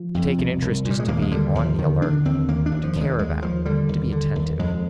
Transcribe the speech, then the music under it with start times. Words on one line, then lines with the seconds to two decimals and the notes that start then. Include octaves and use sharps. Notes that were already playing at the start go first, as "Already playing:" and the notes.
To take an interest is to be on the alert, to care about, to be attentive.
Already playing: F3
0.15 F2
0.38 C2
0.62 C2
0.85 A#2
0.91 G3
1.00 G#3
1.08 D#2 A#3
1.22 G#3
1.31 D3 G3
1.55 D#2 F3
1.78 D3 D#3
2.02 D3 D4
2.25 D#2 C4
2.48 D#2 A#3
2.66 D4
2.72 D#2
2.83 F3
2.95 D#2
3.01 G#3
3.19 D#2 G#3
3.42 D#2 F3
3.65 D3 G3
3.89 D#2
4.12 D3
4.35 D#2
4.59 F2 G#3